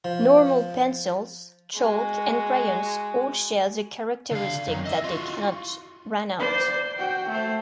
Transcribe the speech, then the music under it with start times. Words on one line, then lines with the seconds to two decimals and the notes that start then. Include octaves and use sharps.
Normal pencils, chalk, and crayons all share the characteristic that they cannot "run out".
0.04 F3
1.76 G#3 F#4
4.31 D3 F5
4.67 F#2 D#3
4.85 D#5 E5
5.04 F4 F#4
6.39 C5 D5
6.98 F#4 G5
7.28 A3 C5